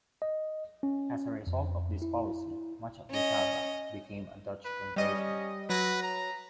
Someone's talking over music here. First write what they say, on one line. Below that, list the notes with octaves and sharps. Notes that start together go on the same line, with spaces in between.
As a result of this policy, much of Java became a Dutch plantation.
D#5
C#4
F2
E4
C#4 D#5
B4
G3 C#4 D#5
F#3 B4 A#6
A#5